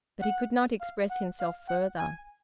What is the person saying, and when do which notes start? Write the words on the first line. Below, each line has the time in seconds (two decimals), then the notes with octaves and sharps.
But he could not express himself further.
0.21 F#5
0.80 F5
1.10 F#5
1.39 F5
1.68 F#5
1.98 G#5